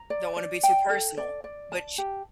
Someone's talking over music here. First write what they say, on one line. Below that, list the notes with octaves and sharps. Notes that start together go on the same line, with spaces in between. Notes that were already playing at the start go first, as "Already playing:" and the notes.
don't wanna be too personal, but she
Already playing: A#5
D5
D5
G5
A4
D5
D5
A5
G4